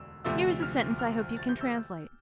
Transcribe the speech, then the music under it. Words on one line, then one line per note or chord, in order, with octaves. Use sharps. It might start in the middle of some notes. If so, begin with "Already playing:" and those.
"Here is a sentence I hope you can translate."
Already playing: E1 D2 E6
D2 C3 F3 A3 E6
F6
F6
A6
G6
E6